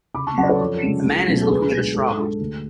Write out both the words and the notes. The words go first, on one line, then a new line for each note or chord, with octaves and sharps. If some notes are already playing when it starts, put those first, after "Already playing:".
A man is looking at a shrub.
C#3 B5 D6
A5 C#6
F#3 C#4 F#5 A5
D5
A4 C#5
F2
C#3 F3 G#3 C#4
C#2
B2 F#3 A3 C#4
A4
C#2 G#4 B4
B2 G#3 D4
G#2 A4
G#3 D4 A4
D2